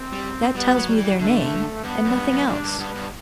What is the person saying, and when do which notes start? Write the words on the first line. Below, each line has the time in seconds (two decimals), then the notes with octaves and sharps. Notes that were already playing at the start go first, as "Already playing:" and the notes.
"That tells me their name, and nothing else."
Already playing: C4
0.13 G3
0.55 G3 B3
0.77 F#3
0.88 G3
0.98 E3
1.19 D3 A3
1.83 G2 B3
2.04 F#2
2.15 G2
2.31 F#2
2.47 G2 D4
2.64 G2
2.79 G2 B3
2.95 G2